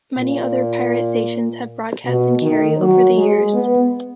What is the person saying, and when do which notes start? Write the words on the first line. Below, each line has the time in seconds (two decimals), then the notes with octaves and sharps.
Many other pirate stations have broadcast in Kerry over the years.
0.18 A#2
2.04 B2
2.42 D#3
2.80 F#3
3.17 G#3
3.54 B3